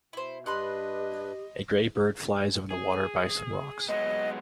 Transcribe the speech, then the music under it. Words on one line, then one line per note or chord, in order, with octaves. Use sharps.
A gray bird flies over the water by some rocks.
B2 E4 C5
G2 D4 G4 B4 D#5 B5 C6 F#6
G#4
F#3 G#3 B3 D#5